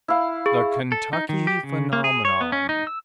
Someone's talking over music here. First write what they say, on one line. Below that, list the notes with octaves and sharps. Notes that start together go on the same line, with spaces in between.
"The Kentucky Phenomenon."
E4 F5
G#4
A4
D#4
D#3
G4
C#3
A#3
G#4
C#5
B3
C#4
D#4
E6